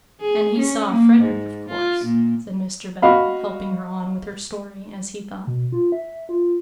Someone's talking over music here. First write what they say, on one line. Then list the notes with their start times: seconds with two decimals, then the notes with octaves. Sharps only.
'And he saw Frederick of course,' said Mr. Bell, helping her on with her story, as he thought.
0.21 G#4
0.58 C#4
0.92 A#3
1.21 G#2
1.69 F4
2.05 A#2
3.02 F#4 D#5 F5 B5
5.47 B2
5.72 F4
5.92 E5
6.29 F4